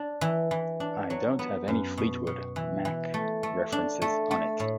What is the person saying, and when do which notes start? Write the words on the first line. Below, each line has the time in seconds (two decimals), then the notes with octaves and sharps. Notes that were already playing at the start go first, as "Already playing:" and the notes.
I don't have any Fleetwood Mac references on it.
Already playing: D4
0.21 E3
0.51 E3
0.80 D4
1.10 F#3
1.39 B3
1.68 F#2
1.97 B2
2.27 B2
2.56 E3
2.85 E3
3.14 A3
3.43 A3
3.72 D4
4.02 A3
4.31 A3
4.60 A2